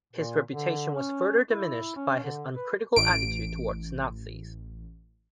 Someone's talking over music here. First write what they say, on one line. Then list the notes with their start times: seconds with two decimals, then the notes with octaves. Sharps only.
His reputation was further diminished by his uncritical attitude toward the Nazis.
0.13 A#2
0.52 D3
0.95 C#4
1.50 E4
1.96 C#4
2.23 D3
2.54 B4
2.96 A1 D7